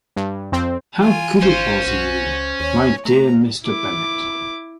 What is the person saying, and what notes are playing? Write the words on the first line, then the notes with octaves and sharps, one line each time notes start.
How good it was in you, my dear Mr. Bennet!
G2
F2 C4
E3 F4 G#5
G#1 C#4 F4 C5
B1 F#4
C#2
D#2 C#5
A3 A#5
E4 D6